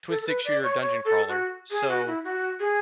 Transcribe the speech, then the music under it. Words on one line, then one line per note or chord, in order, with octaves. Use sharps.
twin-stick shooter dungeon crawler, so
A4
A4
B4
D5
C#5
C#5
A4
F#4
G#4
F#4
E4
F#4
G#4